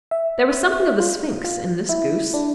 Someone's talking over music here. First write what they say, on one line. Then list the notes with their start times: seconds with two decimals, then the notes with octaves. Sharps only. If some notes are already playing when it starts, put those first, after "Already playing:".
There was something of the Sphinx in this goose.
0.11 E5
1.00 F4
1.44 F4
1.89 E4
2.34 D4